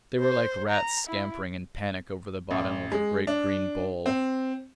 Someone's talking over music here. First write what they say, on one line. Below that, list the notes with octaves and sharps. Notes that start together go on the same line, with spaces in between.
They were like rats scampering in panic over the bottom of a great green bowl.
C5
A#5
E4
A1
G#3
D4
C4